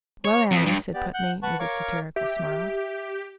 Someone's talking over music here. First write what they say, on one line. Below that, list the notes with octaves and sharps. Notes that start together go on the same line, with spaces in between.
"Well, Annie," said Putney, with a satirical smile.
C#5
F2
G2
B3 G4 D5
F#5 F#6 G6
B4 F#5 A5 C#6
A#4 C#5 F5 C#6 D6
G4 E5